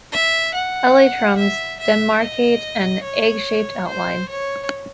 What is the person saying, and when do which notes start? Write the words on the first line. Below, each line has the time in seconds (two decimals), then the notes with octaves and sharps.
Elytrums demarcate an egg-shaped outline.
0.12 E5
0.54 F#5
1.37 E5
1.79 E5
2.20 D#5
3.03 C#5
3.87 C5
4.29 C#5